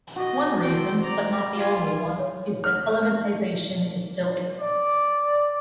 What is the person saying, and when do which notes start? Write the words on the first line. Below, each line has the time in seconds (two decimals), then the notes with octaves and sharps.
One reason, but not the only one, is that elementization is still expensive.
0.16 F#4 D#5
0.61 C4 G5
1.02 D5 A#5
1.55 F4 G#5
2.19 C#5
2.64 F6
4.59 D5